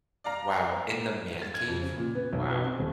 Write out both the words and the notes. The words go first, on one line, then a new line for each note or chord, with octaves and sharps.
Wow! In the man cave? Wow!
D5 F5 A#5
A6
G#6
F2
C#3
A#2
B3
B1
B2
C4
D#1